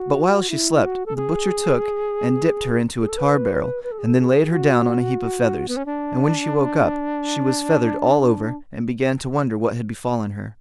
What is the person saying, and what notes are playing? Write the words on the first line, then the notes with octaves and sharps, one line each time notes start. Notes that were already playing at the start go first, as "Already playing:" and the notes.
But while she slept, the butcher took and dipped her into a tar-barrel, and then laid her down on a heap of feathers; and when she woke up, she was feathered all over, and began to wonder what had befallen her.
Already playing: F#4
E4
F#4
A4
G#4
G#4
A4
B4
B4
A4
G#4
A4
G#4
F#4
B3
C#4
D4